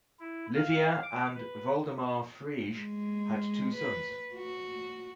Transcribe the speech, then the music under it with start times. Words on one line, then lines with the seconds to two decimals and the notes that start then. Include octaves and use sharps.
Livia and Woldemar Frege had two sons.
0.19 E4
0.55 F5
1.02 D6
1.35 B4
2.75 G#3
3.75 B4
4.35 F#4